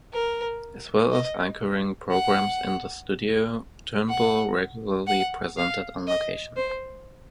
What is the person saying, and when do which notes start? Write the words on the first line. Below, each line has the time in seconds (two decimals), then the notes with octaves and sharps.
As well as anchoring programmes in the studio, Turnbull regularly presented on location.
0.13 A#4
1.12 D#5
2.11 F#5
4.09 F#5
5.07 F#5
5.57 F5
6.07 D#5
6.56 C5